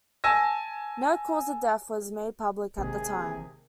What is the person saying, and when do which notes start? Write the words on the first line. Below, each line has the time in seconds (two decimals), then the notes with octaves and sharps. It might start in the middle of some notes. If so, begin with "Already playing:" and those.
No cause of death was made public at the time.
0.24 G#5 A5 E6 A#6
2.78 G1 D#2 C3 G#3 G#4